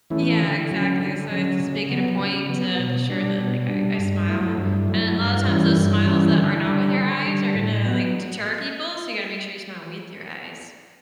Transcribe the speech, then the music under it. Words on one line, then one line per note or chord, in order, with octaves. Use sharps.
Yeah, exactly, so I just make it a point to be sure that, like, I I smile and and a lotta times, those smiles that are not with your eyes are gonna, like, deter people, so you gotta make sure you smile with your eyes.
E3 A3 C#4 E4
D3
F#3 C#4
D3
F#3 C#4
C#3
F#3 B3
C#3
F#3 B3
B2
G3 D4
B2
G3 D4
G2
F#3 A3 E4
G2
F#3 A3 E4
G2
E3 G3 C#4 E4
G2
E3 G3 C#4 E4
D3
G3 D4
D3
G3 D4
A2
F#3 B3